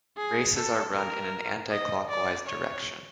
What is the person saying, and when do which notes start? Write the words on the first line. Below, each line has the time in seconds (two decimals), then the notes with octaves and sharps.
Races are run in an anti-clockwise direction.
0.17 G#4
0.56 A4
0.94 A#4
1.70 D#5
2.08 D5
2.46 C#5